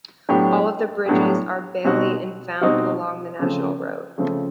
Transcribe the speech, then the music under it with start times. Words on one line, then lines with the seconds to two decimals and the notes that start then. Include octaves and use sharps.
All of the bridges are bailey and found along the national road.
0.29 A2 F#3 B3 D4 G4
1.06 A2 F#3 B3 D4 G4
1.84 B2 G3 C4 D#4 F#4
2.61 B2 G3 C4 D#4 F#4
3.39 C#3 F3 A3 C4
4.18 C#3 F3 A3 C4